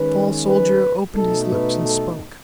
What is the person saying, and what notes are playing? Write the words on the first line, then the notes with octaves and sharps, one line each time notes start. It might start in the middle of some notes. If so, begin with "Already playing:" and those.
The tall soldier opened his lips and spoke.
Already playing: D#3 G#3 C#4 B4
B4
B2 A3 D#4 A4
B4
A4